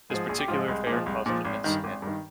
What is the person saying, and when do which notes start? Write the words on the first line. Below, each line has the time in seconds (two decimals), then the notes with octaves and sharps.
This particular affair caused an immense scandal.
0.10 G#2 F3 G#4
0.29 A#1 G#4
0.39 G4
0.48 G#2 F3 F4
0.57 G#3
0.68 C2 G#3
0.87 A#2 F3
1.06 C2
1.26 A#2 F3
1.45 G#1
1.64 G2 D#3
1.84 G#1
2.02 G2 D#3